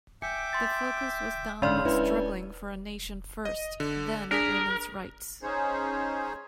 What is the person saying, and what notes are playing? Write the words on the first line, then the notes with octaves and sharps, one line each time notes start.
The focus was now on struggling for a nation first, then women's rights.
E5 G5 G#5 D6 C#7
C6 A6
G#2 D3 G#3 C#4 D5 F5 C6 F6
C#4 D4 E4 A4 B4 G#5
D#5
D3
D4 G#4 A#4 B6
C#4 D#4 G#4 C5 C#5